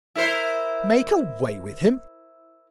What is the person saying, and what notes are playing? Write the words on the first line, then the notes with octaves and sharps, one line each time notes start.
Make away with him!
E4 A#4 C5